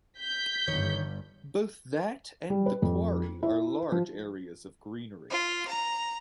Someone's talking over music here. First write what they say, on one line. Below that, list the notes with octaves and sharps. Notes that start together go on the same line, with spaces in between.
Both that and The Quarry are large areas of greenery.
G6 B6
G1 G2 D#3 C#5
G3
B4
F2
E4
F3
F4
A#5